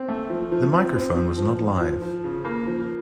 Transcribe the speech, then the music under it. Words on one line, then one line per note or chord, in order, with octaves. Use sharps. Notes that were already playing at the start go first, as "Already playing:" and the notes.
The microphone was not live.
Already playing: C4
A3
F3
F3
C4
C4
F3
F3
F3
F3
F3
C#3
A#3
F3